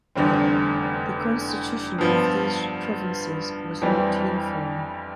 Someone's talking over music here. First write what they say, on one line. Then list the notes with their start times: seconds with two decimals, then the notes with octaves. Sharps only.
The constitution of these provinces was not uniform.
0.15 F1 E2 D3 G3 C4
1.98 G2 F3 B3
3.81 F2 E3 G3 C4